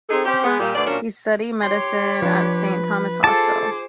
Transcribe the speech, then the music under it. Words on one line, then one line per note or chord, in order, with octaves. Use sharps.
He studied medicine at Saint Thomas' Hospital.
C4 D#4 G#4 A4
C4 C#4 G4
G#3 B3
A#2 G3
D2 B2 D5
A#2 F#3 C#4 D4 A#4
G4 C#5 C6
F3 D4 B4
F4 G#4 A4 C5 A5 D6